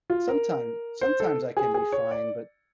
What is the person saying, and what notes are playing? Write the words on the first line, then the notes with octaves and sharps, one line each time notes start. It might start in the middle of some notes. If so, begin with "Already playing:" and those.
Sometime sometimes I can be fine but,
F4
A#4
C5
A4
G#4
G#4
C#5
D5